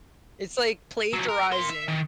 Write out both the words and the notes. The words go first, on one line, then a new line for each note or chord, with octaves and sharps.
It's like plagiarizing.
C#2 F#3
A#4
A#4 C6
E5
D#3